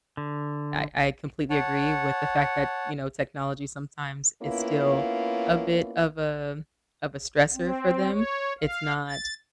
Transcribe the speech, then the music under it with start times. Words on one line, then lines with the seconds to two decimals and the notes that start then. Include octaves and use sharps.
I I completely agree with the fact that, you know, technology sometimes is still a bit of a of a stressor for them. It's not
0.17 D3
1.50 C#5 F#5 A5
4.41 A#3 B3 C#4 E4 F4
7.53 C4
8.10 C#5
8.60 F5
9.07 A6